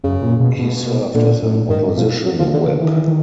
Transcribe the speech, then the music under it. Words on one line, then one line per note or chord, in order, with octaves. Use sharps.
He served as an opposition whip.
F#2 C#3
A#2
B2
B2
A#2 D3
A2
G2 D#3
B2 F3
F#3
D3 F3
D3 D#3
D3 F3
D#3 E3
D#3